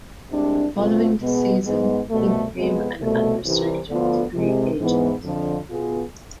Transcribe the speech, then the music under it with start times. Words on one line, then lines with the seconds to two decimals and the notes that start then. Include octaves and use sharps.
Following the season, he became an unrestricted free agent.
0.31 C2 C3 G#3 D4
0.76 B2 A3 C4 F4
1.21 B2 G#3 B3
1.65 G#2 G#3 B3
2.11 C2 B2 A3
2.55 F2 C3 G#3 B3
2.99 C2 B2 A3
3.44 C2 C3 E3
3.90 D2 D3 F3 B3 F4
4.34 C2 C3 G#3
4.79 G#2 E3 B3
5.23 F2 D3 F3
5.68 B2 B3 F4 G#4